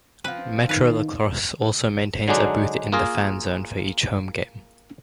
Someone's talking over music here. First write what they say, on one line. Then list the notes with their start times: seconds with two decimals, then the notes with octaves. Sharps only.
MetroLacrosse also maintains a booth in the Fan Zone for each home game.
0.24 F3 C4 B4
0.69 D#3 D#4 B4 F5
2.28 D3 F#3 G#3 D4 D#4
2.92 A#3 F4 G#4 A#4